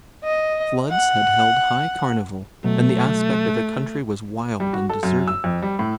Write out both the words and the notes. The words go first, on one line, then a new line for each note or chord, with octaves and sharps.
Floods had held high carnival, and the aspect of the country was wild and deserted.
D#5
F#5
B2 F#3 A3
G3
F#4
A4
F#2
E6
F2
G3
A2